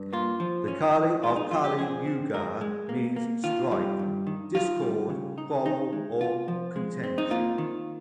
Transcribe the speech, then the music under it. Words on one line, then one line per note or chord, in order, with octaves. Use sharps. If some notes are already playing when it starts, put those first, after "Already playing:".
The "Kali" of Kali Yuga means "strife", "discord", "quarrel" or "contention".
Already playing: G2
A#3 F4
F3
C#4
F3
G#3 F4
D#4
F2 F4
G4
F3 G#4
C4
G#3 A#4
G#3
A#3
A#3
D#3 F4
G3
G2
D#3
D#3 F4
G3
C#3
D#4
D#3 D#4
G#3
C3 F4
F3
G#3
C4
D#4
A#3 F4
D#3